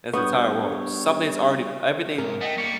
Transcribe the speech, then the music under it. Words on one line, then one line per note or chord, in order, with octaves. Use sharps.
in this entire world. Something's already everything
G3 B3 D4 C#5 C#6 D#6 G6
G#2 C3 A#4
A3 D#5 F#5 G5
G3 A#3 C#6